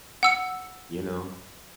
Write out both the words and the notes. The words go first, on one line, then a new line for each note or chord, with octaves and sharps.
You know?
F#5 E6 C#7